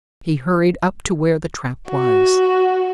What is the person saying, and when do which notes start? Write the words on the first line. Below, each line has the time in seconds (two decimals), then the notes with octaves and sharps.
He hurried up to where the trap was.
1.89 F#4